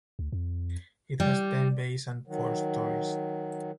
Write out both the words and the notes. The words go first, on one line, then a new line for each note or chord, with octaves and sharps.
It has ten bays and four storeys.
D2
F2
G3
D#3 F#3